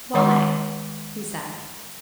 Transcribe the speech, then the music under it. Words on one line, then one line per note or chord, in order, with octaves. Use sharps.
'Why,' he said.
D#3 G#3 C#5 F#5 C6 D6